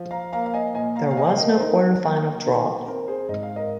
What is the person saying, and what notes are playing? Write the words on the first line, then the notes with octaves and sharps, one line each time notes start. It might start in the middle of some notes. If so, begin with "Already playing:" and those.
There was no quarterfinal draw.
Already playing: F3
F5 A#5
A#3 F5 A#5
F5
D#5 G#5
A#2 D#5 G#5
F5 A#5
F5
A#3 D#5 G#5
F5
A#4 D#5
C5
D#4 A#4 D#5
A#3
D#4 A#4
C4 A#4
G#4 C5
G#2 D#5
F5
A#4 D#5